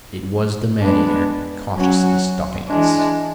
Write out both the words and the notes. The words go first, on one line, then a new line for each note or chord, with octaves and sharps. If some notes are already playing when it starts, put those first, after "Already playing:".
It was the man-eater, cautiously stalking us.
G#3 B3 D4
F#3 C#4 F#4
E3 G#3 D4